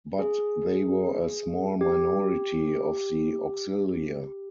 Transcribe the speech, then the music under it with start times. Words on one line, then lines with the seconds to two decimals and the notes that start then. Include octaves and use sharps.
But they were a small minority of the "auxilia".
0.19 G#4
1.81 G4